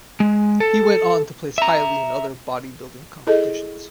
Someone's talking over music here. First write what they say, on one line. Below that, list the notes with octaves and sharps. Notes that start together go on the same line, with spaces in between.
He went on to place highly in other bodybuilding competitions.
G#3
A4
E5 A#5
E4 G#4 A4 D#5